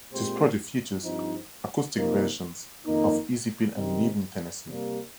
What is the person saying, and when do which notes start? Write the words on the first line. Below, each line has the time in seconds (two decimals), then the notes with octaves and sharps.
This project features acoustic versions of "Easy Pill" and "Leaving Tennessee".
0.12 A#2 G#3 C4 G4 C5
1.04 G2 F3 C4 D#4
1.95 C3 F3 A#3 D#4
2.85 F2 D#3 A#3 D#4
3.76 C3 D#3 G3 C4 D#4
4.66 C3 G3 A#3